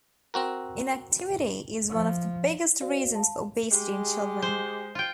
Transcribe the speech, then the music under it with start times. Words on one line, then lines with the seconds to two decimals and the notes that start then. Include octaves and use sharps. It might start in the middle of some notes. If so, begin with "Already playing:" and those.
Inactivity is one of the biggest reasons for obesity in children.
0.34 C4 F#4 A#4
1.89 F3
2.81 F#4 C5 D5 F5
3.15 F5 A5
3.71 G#3 G4
4.42 C5
4.95 F4 G5